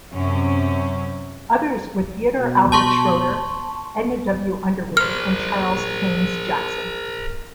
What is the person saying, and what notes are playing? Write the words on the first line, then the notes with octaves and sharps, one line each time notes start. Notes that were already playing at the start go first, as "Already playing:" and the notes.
Others were Theodore Albert Schroeder, Edna W. Underwood, and Charles Kains-Jackson.
F#2 C3 C#4
B2
A5 C6 C#6
A#4 C5 F6